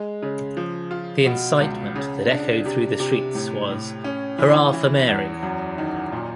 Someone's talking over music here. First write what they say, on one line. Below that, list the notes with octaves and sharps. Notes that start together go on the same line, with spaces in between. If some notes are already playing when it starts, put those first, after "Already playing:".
The incitement that echoed through the streets was: Hurrah for Mary!
Already playing: G#3
C#3
F3
F4
B2
C#2
C#3
D4
C3
C3
A2
A2
C#4
E3
E3
E2
F#2
D#3
A#2